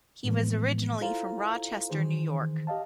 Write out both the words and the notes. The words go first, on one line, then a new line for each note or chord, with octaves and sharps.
He was originally from Rochester, New York.
A2 E3 F3 G#3 B3
E4 F4 A4 C5 F5 A#5
D#3 E3 G#4 C5
G4 D#5 F5 A5